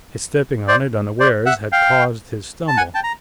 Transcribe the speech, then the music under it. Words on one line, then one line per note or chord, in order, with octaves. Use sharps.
His stepping on it unawares had caused his stumble.
C5 D5
C5 D5
E5 F#5
F5 G5
A5
F#5 G#5
G5 A5
A#5